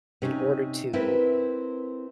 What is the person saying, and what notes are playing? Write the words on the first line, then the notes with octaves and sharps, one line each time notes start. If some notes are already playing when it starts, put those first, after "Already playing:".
in order to
C3 C#4 D#4
C4 E4 A#4 B4